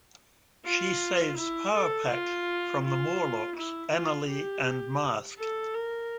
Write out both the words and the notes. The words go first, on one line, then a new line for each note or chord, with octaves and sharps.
She saves Power Pack from the Morlocks Annalee and Masque.
F4
E4
A4
F4
F4
E4
F4
G4
A4
A#4